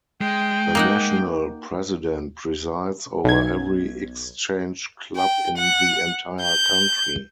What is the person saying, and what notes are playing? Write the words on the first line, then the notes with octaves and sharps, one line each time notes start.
The national president presides over every Exchange Club in the entire country.
G#3 G5
A#3 D#4 F#5
B1 G#6
G5
F#5
G6